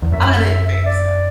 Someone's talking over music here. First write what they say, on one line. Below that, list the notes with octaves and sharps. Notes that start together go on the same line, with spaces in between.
I didn't think so.
E2
F#2 E5
E5
E5
E5
D5